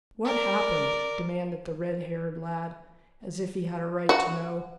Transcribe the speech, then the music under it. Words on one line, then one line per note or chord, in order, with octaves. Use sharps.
"What happened?" demanded the red-haired lad, as if he had a right to know.
A#4 D5
F#4